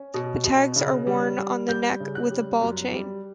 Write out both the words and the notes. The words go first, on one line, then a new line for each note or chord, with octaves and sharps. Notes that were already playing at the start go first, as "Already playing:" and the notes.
The tags are worn on the neck with a ball chain.
Already playing: C#4
B2
B2
C#3
G3
G3
G3 G6
C#3
F#6
G3
F#2
G3